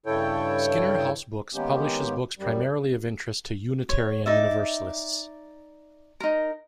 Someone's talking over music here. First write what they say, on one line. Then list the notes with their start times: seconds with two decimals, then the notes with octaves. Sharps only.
Skinner House Books publishes books primarily of interest to Unitarian Universalists.
0.06 G2 C#3 E4 A4 C#5 G5
1.54 D#3 G#3 A#3 B3 C#4 G4
2.39 F#2 G3
3.89 C#5
4.26 D#4 D5 E5
6.20 D#4 A#4